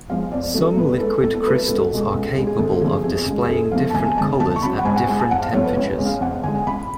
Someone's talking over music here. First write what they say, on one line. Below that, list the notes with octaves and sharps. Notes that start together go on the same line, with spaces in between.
Some liquid crystals are capable of displaying different colors at different temperatures.
F3 G#3 F5
F2 D5
C#3 F#3 A3 A4
A2 B4
G#3 A4
A2 A4
A4
F#3 A3 B4
A4
C#2 A4
B2 G#3
C#2
C#3 G#3
G#4
D2 A4
D3 F3 A3 G#4
F2 G#4
C#3 G#3
G#4
F#2 A4
F3 A3 F5
A5
D2 G#5
D3 G#3 A5
D2 A5
C#6
C#3 F#3 B5
F#5
G#2 G#5
F#5
G#3 G#5
A5
F2 F#5
F5
F3 A3 C#5
B4
C#2 C#5
C#3 G#3
F5
F2 F#5
D3 G#3 G#5
C#2 B5